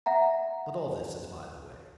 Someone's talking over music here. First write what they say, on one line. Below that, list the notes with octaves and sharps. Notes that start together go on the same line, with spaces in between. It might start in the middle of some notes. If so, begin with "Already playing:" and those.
But all this is by the way.
E5 F#5 A#5